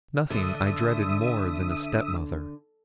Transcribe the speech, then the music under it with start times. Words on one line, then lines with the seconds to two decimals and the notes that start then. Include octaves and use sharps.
Nothing I dreaded more than a step-mother.
0.30 D3 E5 D#6